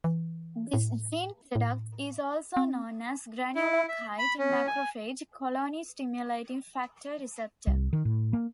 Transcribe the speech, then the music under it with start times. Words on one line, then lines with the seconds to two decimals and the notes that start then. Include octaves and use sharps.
This gene product is also known as granulocyte macrophage colony-stimulating factor receptor.
0.04 E3
0.74 A2
1.55 A2
2.57 C4
3.55 E4
3.88 E5
4.18 B5
4.39 C#4
4.67 G#5
7.67 C2
7.93 D#3
8.05 A2
8.33 A#3